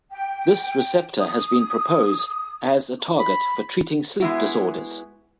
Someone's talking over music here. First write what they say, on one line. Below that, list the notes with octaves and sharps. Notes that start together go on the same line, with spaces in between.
This receptor has been proposed as a target for treating sleep disorders.
G5
D#6
B5
G#3 B3 E4 F#4